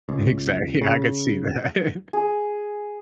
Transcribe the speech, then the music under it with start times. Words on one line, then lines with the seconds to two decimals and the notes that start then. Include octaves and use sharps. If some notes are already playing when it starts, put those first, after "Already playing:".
Exactly I could see that.
0.09 C#2
0.82 C#3
2.13 G#4